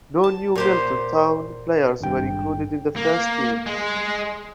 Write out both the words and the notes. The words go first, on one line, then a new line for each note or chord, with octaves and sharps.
No New Milton Town players were included in the first team.
A5
A#2 G4 C5
G#1 G2 G5
A#3
G#3